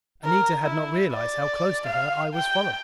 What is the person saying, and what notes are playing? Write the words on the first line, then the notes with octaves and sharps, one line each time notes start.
Anita had not realized how close to her I was following.
A#4
E4
D5
F5
G5